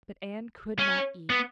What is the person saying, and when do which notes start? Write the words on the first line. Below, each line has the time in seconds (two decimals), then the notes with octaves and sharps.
But Anne could not eat.
0.79 C#4
1.30 B3